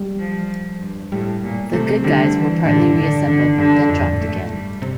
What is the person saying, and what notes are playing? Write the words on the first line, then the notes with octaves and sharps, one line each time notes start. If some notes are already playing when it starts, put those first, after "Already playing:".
The "Good Guys" were partly reassembled, then dropped again.
Already playing: G3
F3
G2
A2 G3
A#2
C3 A3
D3 G3
E3
A2 D3
G2
D3
D3
G2 D3
F2
A2
G2 A3
G3
C3